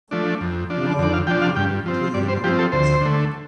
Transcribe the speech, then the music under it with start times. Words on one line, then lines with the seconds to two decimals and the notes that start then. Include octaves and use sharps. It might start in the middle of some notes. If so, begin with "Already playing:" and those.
Noll won three awards.
0.11 F3 A3 D4
0.41 F2
0.70 F3 D4
0.99 F2 D5
1.14 F5
1.27 F3 D4 G5
1.42 F5
1.56 G2 G5
1.86 F3 C4
2.14 G2 D5
2.29 C5
2.44 F3 C4 G4
2.59 A4
2.72 D2 C5
3.01 D3 A3